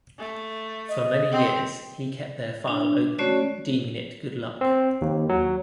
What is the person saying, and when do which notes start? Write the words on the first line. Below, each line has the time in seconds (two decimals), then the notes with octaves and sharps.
For many years, he kept their file open, deeming it good luck.
0.18 A3
0.89 D#5
1.31 C4
2.68 D4
3.18 A3 C#4 F#4 C#5 D5
4.61 C4
5.01 D#2
5.29 F#3